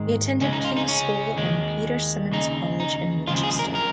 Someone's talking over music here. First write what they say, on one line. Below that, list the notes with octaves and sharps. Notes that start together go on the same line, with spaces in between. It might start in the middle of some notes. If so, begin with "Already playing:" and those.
He attended Kings' School and Peter Symonds College in Winchester.
Already playing: G#2 D#3 G#3
C#2 C#3 G#3 C#4
D#4
F4
D#4
C#4
D#2 D#3 G#3
D#2 C#3 G#3 D#4
D#4
D#2 C#3 F3 G#3 F4
G#4
A#4
A#4